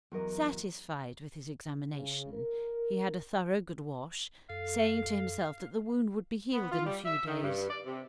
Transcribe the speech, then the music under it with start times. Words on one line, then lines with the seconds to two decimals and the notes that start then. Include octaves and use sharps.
Satisfied with his examination, he had a thorough good wash, saying to himself that the wound would be healed in a few days.
0.12 E2 F#3 A#4 D#5
1.94 C#3
2.33 A#4
4.50 F#2 A4 F5
6.53 B3
6.72 F4
6.85 G3
7.06 E5
7.27 D#3
7.42 G2
7.70 D5
7.86 C3